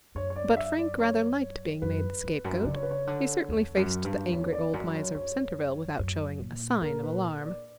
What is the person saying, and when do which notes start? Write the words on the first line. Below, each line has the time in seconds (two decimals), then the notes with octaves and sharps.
But Frank rather liked being made the scapegoat; he certainly faced the angry old miser of Centerville without showing a sign of alarm.
0.15 F#2 C#5
0.30 C#5
0.36 D5
0.57 E5
0.78 D5
0.99 C#5
1.82 F#2 B4
2.24 E2
2.44 F#2
2.65 C#3 D5
2.74 C#5
2.83 B4
2.91 C#5
3.07 D3
3.48 E2
3.77 F#2
4.04 G2
4.32 E2 C#5
4.53 D5
4.74 F#2
4.95 C#5
5.15 F#2 C#5
5.99 F#2
6.40 A#2
6.82 A#2 A#4
7.03 B4
7.44 D5